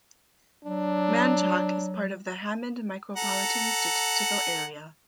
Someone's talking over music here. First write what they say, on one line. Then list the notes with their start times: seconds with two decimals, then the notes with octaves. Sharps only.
Manchac is part of the Hammond Micropolitan Statistical Area.
0.65 F#3 D4
3.17 A4 F#5 A#5